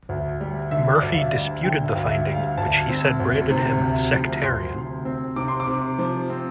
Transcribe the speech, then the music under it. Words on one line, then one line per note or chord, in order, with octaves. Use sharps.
Murphy disputed the finding which he said branded him "sectarian".
D2
G3
D3 E5
D5
D2
F5
E5
G3
D3 G5
E5
F5
D2
E5
G3
F5
D2 A5
C4
D2
C3
D2
F3
D2 C6
C3
C4
C3 D6
C6
D6
C3
F3
C4